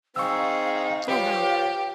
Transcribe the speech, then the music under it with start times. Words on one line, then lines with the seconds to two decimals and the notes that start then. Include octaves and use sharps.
Oh, wow.
0.16 C4 D#4 G#4 F5 C#6 E6
1.08 F3 G4 B4 C#5 F5